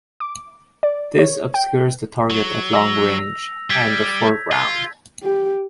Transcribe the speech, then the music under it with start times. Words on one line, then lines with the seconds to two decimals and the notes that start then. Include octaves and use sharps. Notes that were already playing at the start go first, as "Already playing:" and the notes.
This obscures the target at long range and the foreground.
0.20 D6
0.83 D5
1.19 C#5
1.54 G5
2.30 F#3
2.73 E6 A#6 F7
3.70 G3 G6 G#6 B6
4.52 F4
5.23 G4